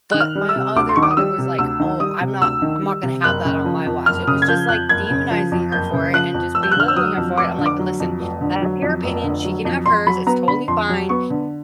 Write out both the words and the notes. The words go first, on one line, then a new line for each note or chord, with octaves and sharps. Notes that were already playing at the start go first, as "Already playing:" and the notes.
But my other daughter was like, "Oh, I'm not I'm not gonna have that on my watch," and was just, like, demonizing her for it and just belittling her for it, I'm like, "Listen, that's your opinion, she can have hers, it's totally fine,
D#3 F#6
F6
G3
E6
C3
D2 D6
C6
D#3 C#6
D6
D#6
G3 E6
C3
D2 E6
D#3
G3 D#6
C3
D2 E6
D#3
G3
C3
F#1 F#6
C#3
F3
F2
F#1 F6
C#3 D#6
G#6
F3 G6
F2 F#6
F#1 G#6
C#3
F3
F2
F#1 G6
C#3
F3 F#6
F2
F1 E6
G6
F#6
D3 F6
E6
F#3 D#6
F2
F1 D6
D3
D6
F#3
F2
F1
D3
F#3
F2
F1
D3
F#3
F2
F2 C6
F#3 B5
B3 A#5
D3 B5
F2 C6
F#3
B3 C#6
D3